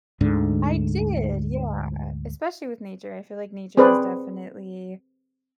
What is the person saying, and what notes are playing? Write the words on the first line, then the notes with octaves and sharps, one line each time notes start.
I did, yeah, especially with nature, I feel like nature is definitely
D2 G#2 D3
C4 G#4 B4 C5 D5